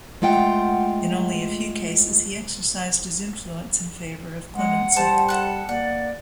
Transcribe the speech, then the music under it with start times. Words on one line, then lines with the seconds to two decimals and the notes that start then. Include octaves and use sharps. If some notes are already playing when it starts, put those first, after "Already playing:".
In only a few cases he exercised his influence in favour of clemency.
0.22 G#3 A3 F4 F#5 G5
4.55 G#3 F#5
4.96 G3 C5 A5
5.28 A4 F#5 F#6
5.69 A#3 D5 F#5